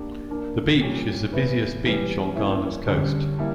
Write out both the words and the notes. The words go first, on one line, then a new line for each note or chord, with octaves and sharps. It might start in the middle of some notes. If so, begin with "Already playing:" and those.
The beach is the busiest beach on Ghana's coast.
Already playing: A#3 D4 G4 A#4
A#3 D4 A#4
A#2 G3 A#3 C#4 G4
E3 B3 E4 B4
E3 G3 B3
A#3 C#4 E4
D3 G3 C#4
G3 A#3 E4